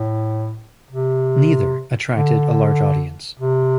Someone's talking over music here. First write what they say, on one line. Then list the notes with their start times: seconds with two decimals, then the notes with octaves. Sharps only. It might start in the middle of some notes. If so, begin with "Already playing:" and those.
Neither attracted a large audience.
Already playing: A2
0.91 C3
2.16 D3
3.39 C3